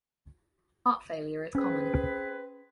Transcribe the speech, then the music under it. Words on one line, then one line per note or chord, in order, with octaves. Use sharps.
Heart failure is common.
C4 C#4 G#4 B4